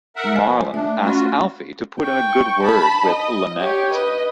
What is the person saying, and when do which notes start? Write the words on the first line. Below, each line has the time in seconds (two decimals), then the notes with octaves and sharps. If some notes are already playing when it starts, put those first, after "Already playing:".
Marlon asks Alfie to put in a good word with Lonette.
0.16 A#4 E5 F#5
0.35 F3 D#5 G#5
0.74 A3 D4 E5
1.04 C#4 F4 F#4
2.01 G5 C#6
2.63 A5 B5
3.06 D#5
3.60 G4 C#5
3.93 B4 D#5